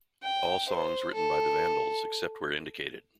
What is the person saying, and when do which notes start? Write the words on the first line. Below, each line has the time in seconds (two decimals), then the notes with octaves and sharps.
All songs written by The Vandals except where indicated.
0.23 G5
0.68 C5
1.13 A4